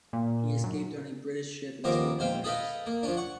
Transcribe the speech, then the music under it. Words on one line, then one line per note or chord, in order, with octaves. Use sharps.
He escaped on a British ship and settled in Paris.
A#2
F#2
D#2 F3 B3 C4 A#4 D6
A#1 G#2 C5 F5 G5
G#4 A4 B4 D#5 F5 G5
A#3
F3 C#4 D4
F#5 C#6